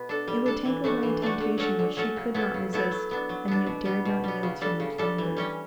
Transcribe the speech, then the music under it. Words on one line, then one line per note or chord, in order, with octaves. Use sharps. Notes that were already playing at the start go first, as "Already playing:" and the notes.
It would take away a temptation which she could not resist, and yet dared not yield to much longer.
Already playing: B2 B3
D4 A4
G3
D4 A4
E3
A3 D4 F#4
E3
A3 D4 F#4
D3
F#3 C#4 F#4 A4
D3
F#3 C#4 F#4 A4
C#3
F#3 B3 E4 A4
C#3
F#3 B3 E4 A4
F#3
B3 D4
F#3
B3 D4
B2
G3 B3
B2
G3 B3
C#3
G3 D4 A4
C#3
G3 D4 A4
E3
G3 C#4 G4